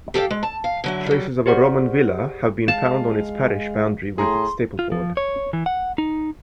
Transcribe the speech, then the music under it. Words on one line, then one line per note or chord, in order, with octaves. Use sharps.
Traces of a Roman villa have been found on its parish boundary with Stapleford.
G4 A4 F5 G5
G#3
A5
F5
D3 F#3 E4
F#3 G3
G4 G#4 C5 D5 F#5
G#3 F5 A5
A2 G#4 A#5 C6
F4
F3
C#5
E3
F#5
D#4